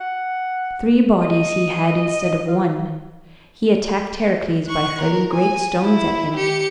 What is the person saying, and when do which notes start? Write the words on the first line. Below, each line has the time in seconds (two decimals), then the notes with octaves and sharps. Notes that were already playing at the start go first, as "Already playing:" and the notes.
Three bodies he had instead of one; he attacked Heracles by hurling great stones at him.
0.01 F#5
1.09 A#4
1.22 D#5
2.48 F4
4.67 C#6 F#6
5.01 A#4
5.33 G#5
5.83 E4
6.36 G4 C#7